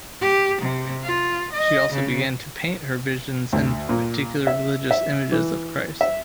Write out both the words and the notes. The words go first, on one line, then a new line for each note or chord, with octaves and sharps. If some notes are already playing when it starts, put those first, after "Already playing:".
She also began to paint her visions and particular religious images of Christ.
G4
C3
F4
D#5
C#3
D2
A#2
E5
E5
E3
E5